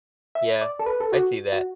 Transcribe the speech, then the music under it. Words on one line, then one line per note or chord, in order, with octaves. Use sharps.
Yeah, I see that.
E5
D5
A4
B4
A4
F#4
F#4